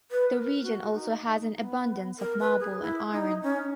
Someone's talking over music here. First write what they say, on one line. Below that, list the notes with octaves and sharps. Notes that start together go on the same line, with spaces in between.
The region also has an abundance of marble and iron.
B4
A#4
F#4
D#4
B3
A#4
B4
G#4
E4
D#4
C#4